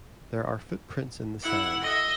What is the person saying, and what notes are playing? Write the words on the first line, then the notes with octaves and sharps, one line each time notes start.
There are footprints in the sand.
E4 F#5
D#5 E5